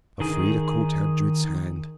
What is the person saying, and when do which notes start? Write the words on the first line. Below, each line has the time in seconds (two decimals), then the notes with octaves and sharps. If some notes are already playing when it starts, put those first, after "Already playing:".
Elfrida caught Edred's hand.
0.20 D#3 G#4